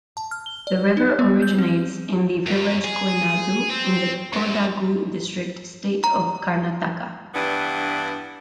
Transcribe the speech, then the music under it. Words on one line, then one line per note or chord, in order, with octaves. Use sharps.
The river originates in the village Koinadu in the Kodagu district, state of Karnataka.
A5
F6
G7
D5
D#4
B3
G6
C4
F#2
G#4
C4
F#2
A#5
G2 E3 B3 D4